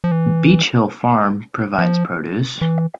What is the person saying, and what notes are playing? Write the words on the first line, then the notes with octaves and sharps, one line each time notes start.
Beech Hill Farm provides produce.
F3
E3
F3
E3